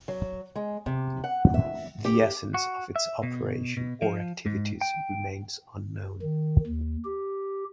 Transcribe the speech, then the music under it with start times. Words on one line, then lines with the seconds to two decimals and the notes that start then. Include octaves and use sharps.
The essence of its operation or activities remains unknown.
0.08 F#3
0.56 G#3
0.86 C3
1.24 F#5
1.54 E5
2.05 G4
2.54 F#4
2.96 E5
3.23 B2
3.77 B2
4.02 F3
4.46 G#2
4.81 G5
6.22 D#3
6.66 D#2
7.05 G4